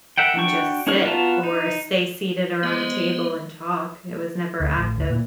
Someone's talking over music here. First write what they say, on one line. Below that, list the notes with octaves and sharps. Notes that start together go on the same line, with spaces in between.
and just sit or stay seated around the table and talk, it was never active.
A#4 E5 F#5 G5
D4 F#4 F#5 G5 C#6
C#4 D#4 F#4 G#4 A#4
B3 F4 F#4 A5 A#5
D#4
G#3 B3 C5
D2
A1
D2
A#2